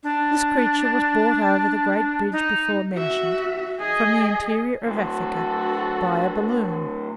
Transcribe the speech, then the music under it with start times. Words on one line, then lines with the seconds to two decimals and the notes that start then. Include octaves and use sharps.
This creature was brought over the great bridge before mentioned, from the interior of Africa, by a balloon.
0.03 D4
2.32 D#4
2.95 F#4 E5
3.79 G#4 D#5
4.86 D2 A2 F#4 A4